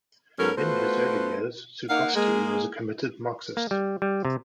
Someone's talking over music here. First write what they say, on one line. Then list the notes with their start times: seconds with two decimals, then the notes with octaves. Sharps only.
In his early years, Zukofsky was a committed Marxist.
0.39 G#2 F#3 B3 C#4 A4 A#4
0.58 A3 B3 F4 F#4 B4 C5
1.90 A#3 D#4 A#4 F5 F#5
2.15 G#3 A#3 G#4
3.57 A#3
3.71 G3
4.02 G3
4.25 C3